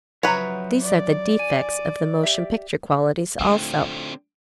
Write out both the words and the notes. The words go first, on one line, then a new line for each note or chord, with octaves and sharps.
These are the defects of the motion picture qualities also.
C#3 F3 F#3 B4 C#5 E5 F#5 A#5
D5
G#5
G4 E5
D3 A3 C4 F4